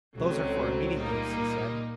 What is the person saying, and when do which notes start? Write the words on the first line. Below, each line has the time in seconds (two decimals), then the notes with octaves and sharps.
"Those are for immediate use," he said.
0.17 C#2 C#3 F#3 A3 C4
0.96 A#2 G3 A#3 D#4